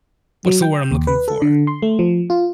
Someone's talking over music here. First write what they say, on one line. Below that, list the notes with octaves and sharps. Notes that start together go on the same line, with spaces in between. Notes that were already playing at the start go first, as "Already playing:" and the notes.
what's the word I'm looking for?
F#3
G5
D#2
B4
A4
D3
C6
A3
F3
F4